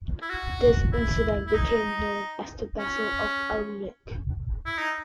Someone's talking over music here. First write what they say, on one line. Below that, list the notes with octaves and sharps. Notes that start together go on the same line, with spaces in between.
This incident became known as the Battle of Alnwick.
E4
F#4
E4
E4
D#4
C#4
E4
D#4